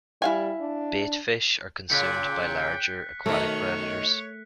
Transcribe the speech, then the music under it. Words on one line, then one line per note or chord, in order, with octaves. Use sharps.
Bait fish are consumed by larger, aquatic predators.
G3 E4 F5 G#5
D4
A#2 C#3 G5 F#6 B6 C#7
B2 D#3 A3 A#4 C#5